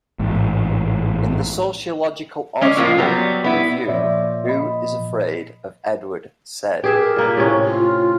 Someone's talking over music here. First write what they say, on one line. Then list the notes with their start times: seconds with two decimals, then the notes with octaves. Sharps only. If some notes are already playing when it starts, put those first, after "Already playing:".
In the sociological article, Review: Who is Afraid of Edward Said?
0.19 A1 G#2
2.61 G#3 C#4 D5
2.77 A2 F3 A#3 D#4 F4
2.98 F#3 G3 B3
3.44 B3 E4
3.88 A#2 F3 C#5 D5 E5
4.45 D#5 B5
6.84 G4 G#4 B4 E5
6.99 A#4
7.16 A#2 A#3 B4
7.37 A2 C3 C#4
7.64 F4